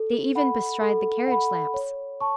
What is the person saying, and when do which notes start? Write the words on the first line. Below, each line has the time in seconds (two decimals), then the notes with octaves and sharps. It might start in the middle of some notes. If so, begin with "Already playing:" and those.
They even bestride the carriage lamps.
Already playing: A4
0.35 F#5 B5
0.82 A4
1.28 F#5 B5
1.74 C#5
2.21 A5 C#6